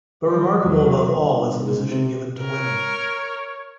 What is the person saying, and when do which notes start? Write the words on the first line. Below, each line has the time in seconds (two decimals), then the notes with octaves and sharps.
But remarkable above all is the position given to women.
0.24 G3
0.61 E2 F#3
1.14 G1
1.65 G#2
1.91 C3
2.40 A#4 C#5